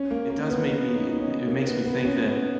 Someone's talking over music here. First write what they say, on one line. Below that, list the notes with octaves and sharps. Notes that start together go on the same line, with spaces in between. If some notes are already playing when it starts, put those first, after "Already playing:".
it does make me it it makes me think that
Already playing: C#4
A#3
A#3
B3
C#4
D#4
D#4
C#4
A#3
B3
B3
C#4
B3